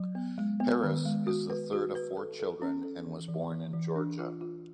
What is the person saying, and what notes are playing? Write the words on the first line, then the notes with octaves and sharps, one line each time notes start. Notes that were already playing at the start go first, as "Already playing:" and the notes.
Harris is the third of four children and was born in Georgia.
Already playing: F#3
B3
G#3
B3
D#3
G#3
F#4
B4
F#4
B4
A4
A4
C#4
A4
E3
E3
E3
E3
D4
F4
F4